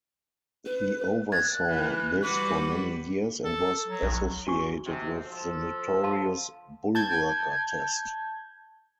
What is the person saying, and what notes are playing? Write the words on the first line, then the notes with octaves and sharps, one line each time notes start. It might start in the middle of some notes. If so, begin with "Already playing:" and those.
He oversaw this for many years and was associated with the notorious 'bullworker test'.
B4
F#6 G#6 A6
E3
G3 F#4 B4 D6
A4
F#3
B1
F#4 G#5 C#6
G#2 C3
F3 A4
F5 A5 C6
A5 G6 G#6